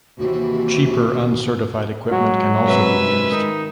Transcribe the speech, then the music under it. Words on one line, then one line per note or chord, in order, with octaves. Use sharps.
Cheaper, uncertified equipment can also be used.
D#2 C3 E3 F#4
F#3 G#3 F#4
F#2 A2 C3 B4 E5
D#3 D#4